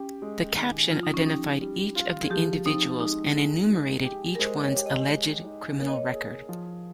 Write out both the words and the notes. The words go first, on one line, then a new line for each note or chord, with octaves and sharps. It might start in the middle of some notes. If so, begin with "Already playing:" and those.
The caption identified each of the individuals and enumerated each one's alleged criminal record.
Already playing: C#4 G4
G#3
D#3
F3 F4
D#4
C#4
D#4 G4
G3
F4
G#4
F3 G4
C4 D#4
G#3 D#4
G#4
G#3
G4
A#4
G#3 C5
C#5
G4
D#5
G#3
D#4
A#3 C#5
D#5
C#5
G#4
F3